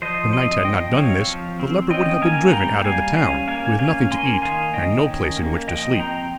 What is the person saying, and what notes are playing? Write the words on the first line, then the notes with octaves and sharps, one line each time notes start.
If the knight had not done this, the leper would have been driven out of the town, with nothing to eat and no place in which to sleep.
F3 C5 D#5
C4 C5 D#5
F3 D#5 G5
C4 C#5 F5
F3
C4
C#4 D#5 G5
A#3 F5 G#5
G3 G5 A#5
G3 F5 G#5
C#4 F5 G#5
A#3 F5 G#5
C#4 F5 G#5
A#3 G#5 C6
D#3 F5 G#5
D#3 D#5 G5
C#4
A#3
F3 D#5 G5
C4 G5 A#5